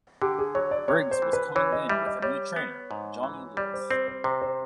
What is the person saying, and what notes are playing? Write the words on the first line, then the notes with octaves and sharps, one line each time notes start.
Briggs was coming in with a new trainer, Johnny Lewis.
D3 G4
G#4
F#3 C#5
D5
C3 C#5
C5
E3
B4
E3 C#5
D#5
G3 E5
D#5
G3 C#5
B3
G#2
E3
G3 D5
C5
C4 C5
C5
C3 C5
C5